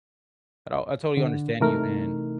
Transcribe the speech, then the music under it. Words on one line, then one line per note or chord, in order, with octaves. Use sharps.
Oh, I totally understand you, and
D3
C3 E3 A3 D#4 A#4